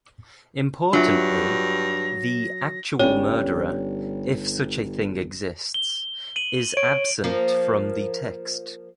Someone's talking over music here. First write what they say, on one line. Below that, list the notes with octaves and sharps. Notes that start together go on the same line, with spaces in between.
Importantly, the "actual murder," if such a thing exists, is absent from the text.
G2 F#3 D4 F4 E5 A#6
G1 G3 C#4 G4 C#5
G7
D#7 F#7
C#5 D7
F3 A#3